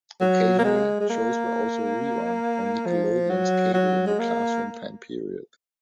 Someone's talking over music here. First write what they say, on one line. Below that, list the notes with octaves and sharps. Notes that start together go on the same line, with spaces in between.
Occasionally, shows were also rerun on Nickelodeon's Cable in the Classroom time period.
F#3
A#3
G#3
G#3
A#3
F3
F#3
F#3
G#3
A#3